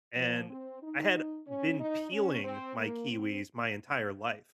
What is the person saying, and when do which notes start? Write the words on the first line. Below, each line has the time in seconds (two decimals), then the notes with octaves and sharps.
And I had been peeling my kiwis my entire life
0.16 F3
0.49 C4
0.82 D#4
1.47 C#4
1.80 D#4
2.12 C#4
2.44 C4
2.77 A#3
3.10 C4